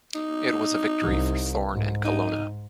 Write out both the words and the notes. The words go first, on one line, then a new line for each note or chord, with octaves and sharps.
It was a victory for Thorn and Colonna.
D#4
C2
G#2
D#4